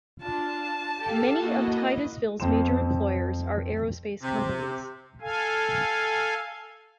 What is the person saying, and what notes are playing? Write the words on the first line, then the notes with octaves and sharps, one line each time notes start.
Many of Titusville's major employers are aerospace companies.
D4 F4 A5
G4 A4 F5
A#3 E4 F#4 D#5
F2 C4 C6 E7
C3
A4 F5 G#5